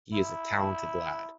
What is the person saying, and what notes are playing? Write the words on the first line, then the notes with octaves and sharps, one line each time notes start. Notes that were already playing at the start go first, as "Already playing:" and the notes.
He is a talented lad.
E4